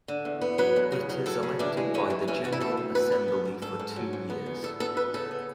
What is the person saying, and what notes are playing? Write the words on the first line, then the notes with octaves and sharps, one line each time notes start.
It is elected by the General Assembly for two years.
D3
E2
B3
F#3 B4
E2
C#3
F#3
F#3 A4
C#3
E3 D4
G#3
E3 C#4
E3
E3 C#4
E3 F#4
E4
D2 A4
D2
B3 B4
B3
G#2
G#2
G#2 A4
G#2
F#3
G#2
B3
E2
E2 A4
B3 A4
E2 B4
C#3 A4
B3